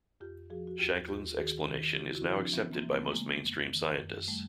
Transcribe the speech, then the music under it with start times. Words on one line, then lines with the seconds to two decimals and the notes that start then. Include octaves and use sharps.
Shankland's explanation is now accepted by most mainstream scientists.
0.20 F2 F4 G4
0.50 F3 F#4 G#4
0.67 F#4
0.78 D#2 F4 G4
1.08 D#2 F4 G4
1.37 D#3 F#4 G#4
1.66 D#3
1.95 C#3 F4 G4
2.15 E4 F#4
2.25 F3
2.34 C4 D4
2.53 E3 B3 C#4
2.73 A#3 C4
2.82 E3
2.92 A3 B3
3.12 C#3 G#3 A#3
3.41 F2
3.70 D#3
3.99 F#2
4.28 G3 A3